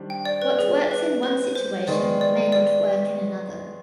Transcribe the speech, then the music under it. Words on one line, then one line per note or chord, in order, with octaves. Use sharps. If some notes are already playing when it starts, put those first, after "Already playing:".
What works in one situation may not work in another.
Already playing: D#3 G3 D4 G4 C5
G5
D5
B4
G#4
B4
B4
C5
D#3 G#3 B3 D5
D5
D5